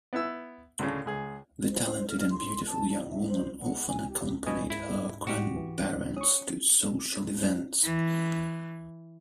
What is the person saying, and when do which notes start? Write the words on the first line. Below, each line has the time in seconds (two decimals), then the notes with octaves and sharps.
The talented and beautiful young woman often accompanied her grandparents to social events.
0.13 B3 E4 E6
0.79 D2 A2 C#3
1.06 C#2 G#4
1.72 C5
2.08 F6
2.31 C6
2.68 A5
3.11 E5
3.27 C5
3.59 F#5
3.88 G#5
4.09 G4
4.47 B2 D#5 G#5
4.70 G#2 E4
5.27 A2 F#4 G4
5.56 E3
6.17 C#4 C#6 D#6
7.83 E3